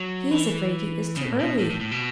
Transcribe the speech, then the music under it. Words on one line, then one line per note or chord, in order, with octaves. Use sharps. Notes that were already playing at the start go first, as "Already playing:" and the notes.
"He is afraid he is too early!"
Already playing: F#3
E3
C#3
B2
A2
B2
A2
A2
A2
B2